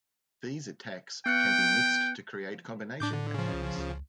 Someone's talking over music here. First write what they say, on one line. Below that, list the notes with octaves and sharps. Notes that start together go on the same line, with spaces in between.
These attacks can be mixed to create combination attacks.
B3 G5 F#6 C#7
A2 D4 D6 G6
D3
C#3 F3
C2
C#2